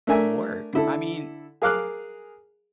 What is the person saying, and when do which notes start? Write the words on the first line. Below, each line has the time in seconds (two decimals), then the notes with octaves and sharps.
work. I mean,
0.07 A3 D4 A#4 E5 G#5
0.73 D3 E4 A4
1.62 G#4 A#4 F5 D6 F6 F#6